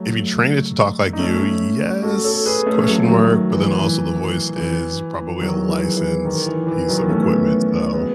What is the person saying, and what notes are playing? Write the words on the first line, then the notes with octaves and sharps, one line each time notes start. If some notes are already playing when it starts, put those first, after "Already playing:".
If you train it to talk like you, yes, question mark? But then also the voice is probably a licensed piece of equipment. So
Already playing: F#3 A3
D#4
A3 C#4
F#4 A4
A4 C#5
G#4 B4
A3 C#4
F#3 A3
D#3 F#3
E3
E3
E3
D#3 F#3
E3 G#3
E3
D#3
E3
E3
D#3 F#3
B3
A3 C#4
G#3 B3